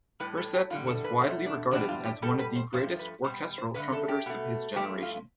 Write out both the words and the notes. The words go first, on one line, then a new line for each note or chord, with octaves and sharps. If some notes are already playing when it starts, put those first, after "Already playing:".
Herseth was widely regarded as one of the greatest orchestral trumpeters of his generation.
A2 G3 B4
A4
G4
E2 D3 G3 F4
A4
B4
B2 A3 C5
D4
E2 B2 G3 D4
F4
G4
B2 G3 A4
B4
C5
G2 F3 A3 C5
B4
B2 G3 C5
C5
G2 D3 A3 B4
A4
G4
B2 A3
G2 F3 A3 G4
F4